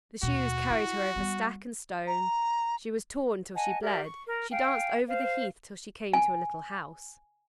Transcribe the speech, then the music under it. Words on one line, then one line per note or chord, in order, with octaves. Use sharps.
The shoes carried her over stack and stone; she was torn till she bled; she danced over the heath till she came to a little house.
D#2 B2 F#4
E4
G3 B3
A#5
D#5 F#5 G#5 A5
G4 A#4 D5 E5
C#6
A#4
F5 G5 G#5
C5 F5
G#5